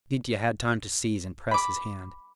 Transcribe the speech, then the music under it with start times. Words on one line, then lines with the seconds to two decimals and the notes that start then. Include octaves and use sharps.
Mitya had time to seize and press his hand.
1.51 B5 D6